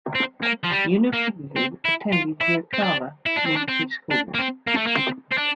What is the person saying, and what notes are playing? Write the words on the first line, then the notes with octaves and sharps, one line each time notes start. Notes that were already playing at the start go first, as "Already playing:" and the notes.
Yunupingu attended Yirrkala Community School.
C4
A#3
F3
G3
A#3
C4
E4
F4
E4
C4
D4
E4
D4
C4
D4
C4
D4
A#3
C4
A#3
A3
A#3
C4
C4
D4